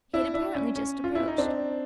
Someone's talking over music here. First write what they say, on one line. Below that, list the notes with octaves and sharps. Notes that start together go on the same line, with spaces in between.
He had apparently just approached.
D4 E4
D4 E4
C#4
C#4
F4
E4
D#4
C4 D4